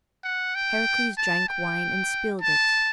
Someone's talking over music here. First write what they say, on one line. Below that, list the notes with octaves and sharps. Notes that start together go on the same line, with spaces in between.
Heracles drank wine and spilled it.
F#5
G5
A5
G5
A5